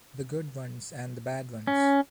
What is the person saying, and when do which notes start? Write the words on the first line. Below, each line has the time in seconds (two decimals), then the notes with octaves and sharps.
The good ones and the bad ones.
1.67 C#4